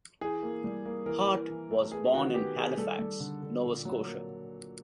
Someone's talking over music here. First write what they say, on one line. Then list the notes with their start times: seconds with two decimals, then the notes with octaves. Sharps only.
Hart was born in Halifax, Nova Scotia.
0.21 E3 G#4
0.43 A#3
0.64 G3
0.85 A#3
1.06 E3 A#4
1.28 E3
1.50 E3
1.71 A3
1.92 B3 G#4
2.14 D#3 F#4
2.34 B3 G4
2.56 D#3 G#4
2.78 G3 A4
2.99 G3
3.20 D3
3.43 D3
3.64 A#2
3.85 F#3
4.06 A#3